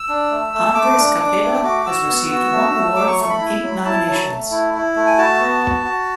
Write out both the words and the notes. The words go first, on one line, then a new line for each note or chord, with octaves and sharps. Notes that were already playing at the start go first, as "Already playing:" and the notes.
Andres Cepeda has received one award from eight nominations.
Already playing: E6
D4
A3
A3
A3 D6
D4
D4
A3
F#4 D6
F#4 E6
B3
F#4
A3
A3
F#3 D6
C#6
A3 C#6
B5
E4
F#3
E4 A5
F#3 A5
A3
E4
E4
A3
G#5
F#4 A5
B3
F#4
F#4